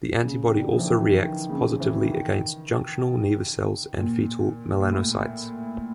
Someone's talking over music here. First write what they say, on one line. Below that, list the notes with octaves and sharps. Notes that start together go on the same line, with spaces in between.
The antibody also reacts positively against junctional nevus cells and fetal melanocytes.
C#3
D#3
D3
F3
E3
D#3
D#3
C#3
E3
D#3
A#2
A#2
A2